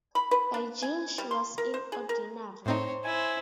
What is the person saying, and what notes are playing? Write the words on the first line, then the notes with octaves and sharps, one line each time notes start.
By June she was in Ordinary.
B5
B4
D4
G#5
G3
C6
A#4
C5
G#4
A#4
A2 C4 D#4 C5 C#5
E4 C5 G#5